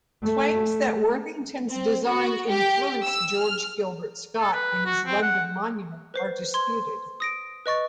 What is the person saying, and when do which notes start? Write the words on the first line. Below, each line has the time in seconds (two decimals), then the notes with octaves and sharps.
Claims that Worthington's design influenced George Gilbert Scott in his London monument are disputed.
0.23 A3
1.70 C4
2.05 F#4
2.48 G4
3.05 E6
3.40 F6
4.40 A4
4.53 B4
4.86 F#4
5.06 C4
5.22 F#5
6.14 B4 C5 C7
6.54 C6 G#6
7.20 D#6 A#6 D7
7.66 B4 D#5 C#6 A6